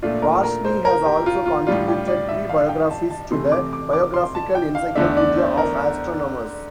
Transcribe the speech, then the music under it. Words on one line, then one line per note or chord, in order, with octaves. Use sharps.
Varshni has also contributed three biographies to the "Biographical Encyclopedia of Astronomers".
A#2 A3 D4 F4
A#4
A#4
C5
A#4
G4
F4
F4
A2 G3 D4 F4
G4
D5
E5
F5
G5
A5
A5
C3 E3 A3 C6
D6
D6
D6
C6
A5
G5
F5
E2 D3 A3 D4 E5
D5
C5
A#4